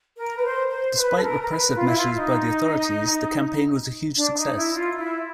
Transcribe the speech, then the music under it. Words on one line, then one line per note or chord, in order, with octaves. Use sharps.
Despite repressive measures by the authorities, the campaign was a huge success.
A#4
B4
C5
C5
B4
A4
A#4
A#4
B4
F4
E4
F4
D#4
D4
D#4
E4
F4
E4